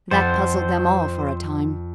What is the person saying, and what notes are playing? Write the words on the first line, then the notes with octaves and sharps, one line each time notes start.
That puzzled them all for a time.
F2 C5 F#5 A6